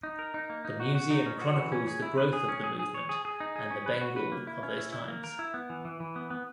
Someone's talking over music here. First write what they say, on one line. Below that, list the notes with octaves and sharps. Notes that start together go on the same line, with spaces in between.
The museum chronicles the growth of the movement and the Bengal of those times.
D#4
A#4
D#4
A#3
D#4
F#4
F#4
D#4
C#4
F#4
E3
C#4
G#4
E4
B4
G#4
C#4
G#4
G#4
C#5
G#4
G#4
D#4
G#4
C#4
B4
F#4
B4
A#3
E4
C#4
E4
E4
A#3
A#4
E4
B3
E3
E3
E3
B3
B3